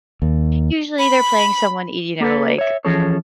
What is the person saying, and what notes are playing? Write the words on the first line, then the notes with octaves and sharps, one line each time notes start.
usually, they're playing someone, y you know, like,
D#2
B5
A#3 A4 B4
C#5 E5
E3 F3 C#4 G#4 A4 C#5